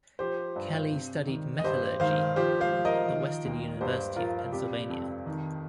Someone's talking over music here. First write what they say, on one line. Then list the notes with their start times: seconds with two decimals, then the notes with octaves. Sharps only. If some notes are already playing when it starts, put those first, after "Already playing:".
Kelly studied metallurgy at the Western University of Pennsylvania.
0.19 F3 G4 C5
0.56 G2
0.92 C3
1.27 D#3
1.59 D#5
1.64 G2 G4 C5
2.00 D#3 C5 F5
2.36 F3 G4 C5
2.61 C5 F5
2.73 F3
2.85 A#4 D#5
3.08 D#3
3.45 D#2
3.81 G2 G4 C5
4.16 F3 F4 A#4
4.53 C3 G4
4.90 F2
5.26 D#3